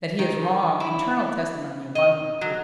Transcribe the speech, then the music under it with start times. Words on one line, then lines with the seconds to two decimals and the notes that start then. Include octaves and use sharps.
That he is wrong internal testimony abundantly proves.
0.19 D#3
0.80 E4
1.95 D#5
2.41 F#3